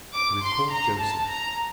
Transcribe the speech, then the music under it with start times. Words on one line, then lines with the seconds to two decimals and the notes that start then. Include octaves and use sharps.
He was called Joseph.
0.13 D6
0.43 C6
0.71 A#5
1.00 A5
1.28 A#5